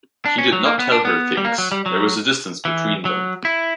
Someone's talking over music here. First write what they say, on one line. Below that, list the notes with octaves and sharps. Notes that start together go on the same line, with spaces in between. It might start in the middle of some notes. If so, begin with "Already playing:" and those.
He did not tell her things; there was a distance between them.
D4
C#4
F#3
A#3
B3
D4
B3
G3
A#3
F#3
G3
F#3
E3
F#3
E4